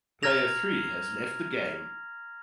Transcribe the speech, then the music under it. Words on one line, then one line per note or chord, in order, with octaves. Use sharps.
Player three has left the game.
A#5 F6 G#6 A#6 F7